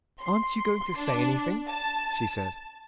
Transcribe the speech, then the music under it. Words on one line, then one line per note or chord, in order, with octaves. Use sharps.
"Aren't you going to say anything?" she said.
C6
D4
A5